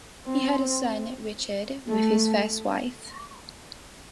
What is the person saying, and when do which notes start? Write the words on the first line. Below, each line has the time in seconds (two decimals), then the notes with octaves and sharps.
He had a son, Richard, with his first wife.
0.26 C4
1.89 A3